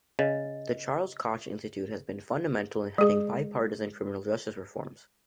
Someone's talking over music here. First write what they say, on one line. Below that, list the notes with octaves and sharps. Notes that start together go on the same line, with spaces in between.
The Charles Koch Institute has been fundamental in heading bipartisan criminal justice reforms.
C#3 D#5
G#3 G#4